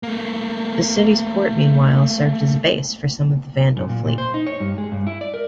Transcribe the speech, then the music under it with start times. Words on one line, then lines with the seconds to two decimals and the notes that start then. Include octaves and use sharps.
The city's port meanwhile served as a base for some of the Vandal fleet.
0.03 A3 A#3
3.77 F#2
3.89 A#2
4.05 A#2
4.18 C5
4.34 D#4
4.47 C#5
4.60 G2
4.78 G#3
4.92 G2
5.07 E4
5.21 D5
5.34 A#4